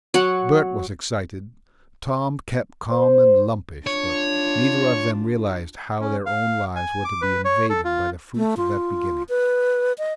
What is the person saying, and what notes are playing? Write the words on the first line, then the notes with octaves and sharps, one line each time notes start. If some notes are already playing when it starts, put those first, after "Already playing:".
Bert was excited, Tom kept calm and lumpish, but neither of them realised how their own lives were to be invaded by the fruits of that beginning.
F#3 F#5
C5
D4 F4 C#5
C#4
F5
G#5
D6
B4
C#5
A4
F4
A3
F4
B4
D#5